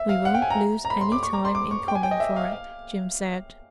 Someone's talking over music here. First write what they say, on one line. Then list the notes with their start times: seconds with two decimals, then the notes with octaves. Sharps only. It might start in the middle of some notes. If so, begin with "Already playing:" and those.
"We won't lose any time in coming for it," Jim said.
Already playing: E5
0.09 F5
0.25 F#5
0.34 G5
0.42 G#5
0.50 A#5
0.85 A#5
0.90 B5
1.01 C6
1.12 D6
1.23 C#6
1.33 A#5
1.45 C6
1.55 D6
1.71 C#6
1.88 G5
1.95 G#5
2.03 G5
2.11 D#5
2.20 E5
2.36 F5
2.52 F5